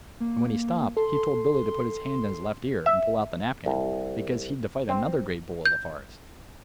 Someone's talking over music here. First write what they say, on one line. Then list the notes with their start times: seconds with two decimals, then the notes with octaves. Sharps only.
And when he stopped he told Billy to put his hand in his left ear and pull out the napkin, because he'd to fight another great bull of the forest.
0.20 A#3
0.97 A4 C6
2.86 E5
3.66 C2
4.89 C4
5.65 G6